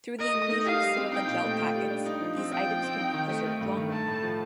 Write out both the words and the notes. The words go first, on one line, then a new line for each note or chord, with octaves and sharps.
Through the inclusion of silica gel packets, these items can be preserved longer.
A#4 D#5
A3
D#4
G4 F5
G3
C4
D#4 G5
A#2
A3
F4
G3
D4
D#4
F3
C4
F4 G5
F3
C4
D#4
D#3
A3
A3
G2
D#3
A3 A5
A2
F3